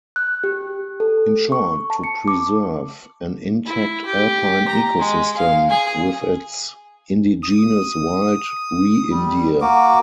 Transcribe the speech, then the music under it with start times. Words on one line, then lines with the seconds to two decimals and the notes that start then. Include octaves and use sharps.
In short: To preserve an intact alpine ecosystem with its indigenous wild reindeer.
0.16 F#6
0.44 G4
1.00 A4
1.52 C#6
1.90 A5
2.04 C#7
2.28 D6
3.66 E4
4.06 G4
4.68 A#5
4.99 G#3
5.37 F5
5.70 G#4 G#5
7.43 D#6
9.11 G3
9.61 A#3 F#4 D6